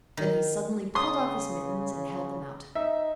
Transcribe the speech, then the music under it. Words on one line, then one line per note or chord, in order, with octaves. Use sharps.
Then he suddenly pulled off his mittens and held them out.
D#3
C#3 C6 D#6
D#4 E5